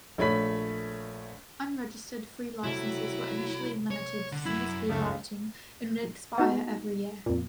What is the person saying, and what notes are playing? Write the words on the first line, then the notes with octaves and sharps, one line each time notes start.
Unregistered free licenses were initially limited to single-speed writing and would expire every year.
A#1 A3 C#5 B5 B6
C3 F#3 G3 A3 E4
C#5
D3 F#5
F#2 E4
C#2 A3 D#4 F5
B3 D#4 F#4
F2 A#2